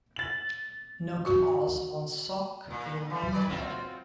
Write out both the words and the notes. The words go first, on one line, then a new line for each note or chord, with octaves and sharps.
No cars on Sark, it'll be heaven.
A6 F#7
F#4
A#2
E3 G3
D#3 B4 D5
C4 F4 F#4